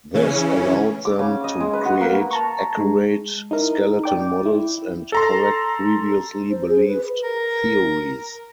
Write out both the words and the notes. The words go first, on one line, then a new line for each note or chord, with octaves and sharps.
This allowed them to create accurate skeleton models and correct previously believed theories.
C#3 E3 C#4
D6
C#3
D#5
G#3
B4
F#4
A#3
A5 A#5 C#6
G#3
D#4 E4 A#4
D5 G5 D6
E4
A4 A#5 C6
C5
G#4
B4
A#4